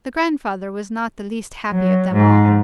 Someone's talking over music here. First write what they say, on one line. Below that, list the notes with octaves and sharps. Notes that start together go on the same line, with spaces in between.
The grandfather was not the least happy of them all.
F#3
G#2